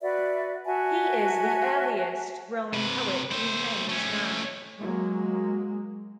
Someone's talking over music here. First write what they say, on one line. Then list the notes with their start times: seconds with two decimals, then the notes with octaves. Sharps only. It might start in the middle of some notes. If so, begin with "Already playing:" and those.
He is the earliest Roman poet whose name is known.
0.01 F#4 B4 D5 E5
0.65 F#4 E5 G#5 A5
2.73 C3 B4
3.31 A3 C5
3.89 A3 C#4
4.79 F#3 G#3 A#3